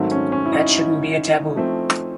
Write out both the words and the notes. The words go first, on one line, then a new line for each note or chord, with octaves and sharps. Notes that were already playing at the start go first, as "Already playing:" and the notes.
That shouldn't be a taboo.
Already playing: G#2 D#3 F#3 A3 C4
C#4
C#4
E4
D#4
F3 A3 C4